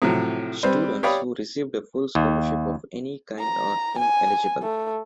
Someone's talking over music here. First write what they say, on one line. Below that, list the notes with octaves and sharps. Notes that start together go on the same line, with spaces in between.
Students who received a full scholarship of any kind are ineligible.
A2 C3 F3 F#3
G3 C4 B4 C5
G4 C#5 D5 F5 B5 D#6
D#2
A#5
G#5
A3